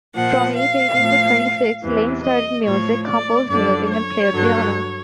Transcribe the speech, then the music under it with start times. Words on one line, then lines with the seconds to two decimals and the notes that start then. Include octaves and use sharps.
From age eighteen to twenty-six, Lane studied music, composed music, and played piano.
0.15 A#2 F3 F#5
0.56 F5
0.97 A2 F3
1.82 E2 C3 E3
2.23 D#5
2.65 A2 F3 C#5
3.07 D5
3.49 F#2 D3 F3 D5
3.90 C#5
4.33 G2 D3 F#3